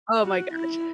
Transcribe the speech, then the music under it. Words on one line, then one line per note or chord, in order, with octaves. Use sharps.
Oh my gosh.
F#4
E4